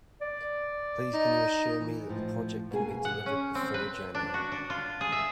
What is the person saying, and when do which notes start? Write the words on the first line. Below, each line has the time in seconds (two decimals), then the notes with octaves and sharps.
Please can you assure me that the project can be delivered before January?
0.21 D5
1.14 D#4
1.80 E3
2.09 A2 F3
2.71 B2 A#3 G#4 G#5
3.05 F#5
3.26 C#4
3.55 C4
3.74 B4
4.15 D4
4.34 F#4
4.52 D4
4.70 F4
5.01 G#4
5.12 E5